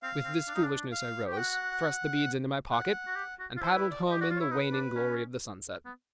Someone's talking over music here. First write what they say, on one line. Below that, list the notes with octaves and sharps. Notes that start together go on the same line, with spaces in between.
With this foolishness I rose, thrust the beads into my pocket, and paddled home in the waning glory of the sunset.
C4 F5
C4
D4
D#4
D4
F5
G4
G5
F#4 F#5
F#5
F#4
G4
F#4
F4
E4 C5
B4
D5
G4 D#5
F#4 D5
F4
E4 C#5
D#4 B4
D4
C#4
B3